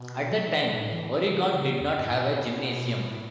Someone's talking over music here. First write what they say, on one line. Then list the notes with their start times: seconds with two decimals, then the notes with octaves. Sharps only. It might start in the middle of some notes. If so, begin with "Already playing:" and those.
At the time, Oregon did not have a gymnasium.
Already playing: B2
0.31 F#3
0.46 E3
0.62 B2
0.78 A2
0.93 E3
1.08 C#3
1.24 C#3
1.80 E2
1.92 F#2
2.04 A2
2.15 B2
3.08 A2